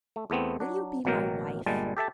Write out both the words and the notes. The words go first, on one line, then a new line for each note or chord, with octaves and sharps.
Will you be my wife?
A3
E2 A3 B3 C4
F#3 D4
A1 B2 F#3 A#3 A#4 G5
G1 A#2 G3 G#3 A5
G4 A4 E5 A5